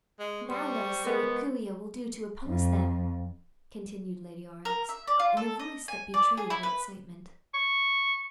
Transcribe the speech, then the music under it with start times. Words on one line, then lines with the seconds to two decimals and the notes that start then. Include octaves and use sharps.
"Now let us see what Coo-ee-oh will do to oppose them," continued Lady Aurex, in a voice that betrayed her excitement.
0.19 G#3
0.50 G3 C5 C6 C#6
1.05 G#3 B3 A#4
2.46 F2
4.65 A#4
4.89 E5
5.07 D5
5.20 F4
5.37 A4
5.59 D#5
5.88 G#5
6.14 D5
6.37 G#4
6.50 E4
6.63 B4
7.54 C#6